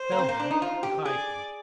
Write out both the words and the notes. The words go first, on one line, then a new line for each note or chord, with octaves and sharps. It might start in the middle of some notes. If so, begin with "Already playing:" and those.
Fell him and hide him.
Already playing: C5
A#3
C4
A#3
D4
D#4
F4
G4
G#4 D5